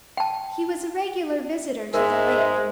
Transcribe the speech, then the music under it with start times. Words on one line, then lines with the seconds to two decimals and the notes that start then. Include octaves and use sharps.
He was a regular visitor to the lake.
0.17 G5 A5
1.94 G#2 G#3 A#4 E5